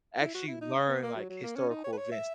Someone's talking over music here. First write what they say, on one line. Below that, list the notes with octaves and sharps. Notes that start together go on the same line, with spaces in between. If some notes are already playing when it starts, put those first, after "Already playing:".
actually learn, like, historical events
E4
F#4
E4
D#4
C#4
B3
A#3
F#3
F#3
A#3
C#4
D#4
C#5
B4
C#5
E5